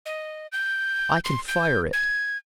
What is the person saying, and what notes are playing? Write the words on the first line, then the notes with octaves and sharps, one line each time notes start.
I can fire it.
D#5
G6
C6
G6
G#6